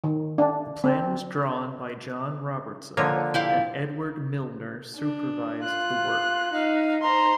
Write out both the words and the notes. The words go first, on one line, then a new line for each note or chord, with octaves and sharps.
The plan was drawn by John Robertson and Edward Milner supervised the work.
D#3
D4
C4
D3 F3 A#3 C#5 D#5
E4 G4 F5
D4
F4 F#6
D#4 D#5 F5
D#4 C5 A#5 C6